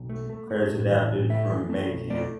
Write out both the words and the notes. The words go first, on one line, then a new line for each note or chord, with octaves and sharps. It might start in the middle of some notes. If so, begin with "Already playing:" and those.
Credits adapted from Bandcamp.
Already playing: B1
A3
A3
A3
A2
E3
A2
A3 E5
E3
A3
B1
A3 D5